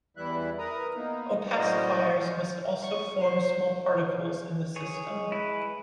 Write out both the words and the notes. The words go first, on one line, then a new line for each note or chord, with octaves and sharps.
Opacifiers must also form small particles in the system.
E2 E3 G3 E4 E5 F#6
A#4 B4 A#5 D#6
A#3 B3 D#4
F#2 A2 F#4 C5 D5 D#5
G#3
C#6
C5
G#4 C#5
G#3
E4 B4